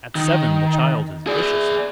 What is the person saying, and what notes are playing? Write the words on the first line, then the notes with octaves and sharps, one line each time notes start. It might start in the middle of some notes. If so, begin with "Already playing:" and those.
At seven the child is vicious and a thief.
D#3
G#4 D5